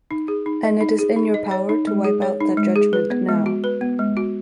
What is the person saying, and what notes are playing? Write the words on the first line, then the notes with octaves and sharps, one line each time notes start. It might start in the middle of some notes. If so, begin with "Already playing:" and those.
And it is in your power to wipe out that judgment now.
D#4
G#4
D#4
D#5
D#4
G#4
D#4
D#5
C#5
D#4
G#3
G#4
C#5
D#4
G#3
G#4
B4
B3
G#3
F#4
B4
B3
G#3
F#4